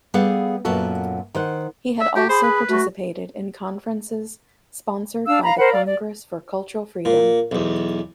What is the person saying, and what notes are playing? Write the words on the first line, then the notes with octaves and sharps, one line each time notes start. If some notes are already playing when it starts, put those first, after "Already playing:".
He had also participated in conferences sponsored by the Congress for Cultural Freedom.
G3 B3 G#4 A4 F5 F#5
F#2 A#2 B3 F#4 A4
D#3 C5 F#5
E5
F#4 G4
G#4 C5 B5
B4
A3 F#4
D4 F5 E6
F5 A#5 B5
A#4 C5 F#5 B5
D5 F5
D5
A#2
B1 E2